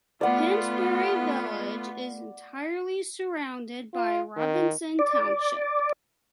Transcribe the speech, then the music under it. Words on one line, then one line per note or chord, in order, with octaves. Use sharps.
Pennsbury Village is entirely surrounded by Robinson Township.
A3 B3 F4 D5 F#5
F4
D#3
D5